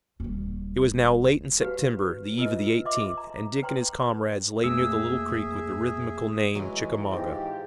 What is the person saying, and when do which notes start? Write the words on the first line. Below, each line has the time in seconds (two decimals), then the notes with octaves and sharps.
It was now late in September, the eve of the eighteenth, and Dick and his comrades lay near the little creek with the rhythmical name, Chickamauga.
0.20 D#1 G3
1.60 F#4 G4 B4 F5
2.38 F4 A#4 B4 D#5
2.85 D#5 E5 C6 D6
3.18 A#5
3.62 B4 G5 A#5 C6
4.64 F1 A3 A#3 G#4 E5 E6
6.55 E3 F#3 G#3
7.10 G#2 F4 G4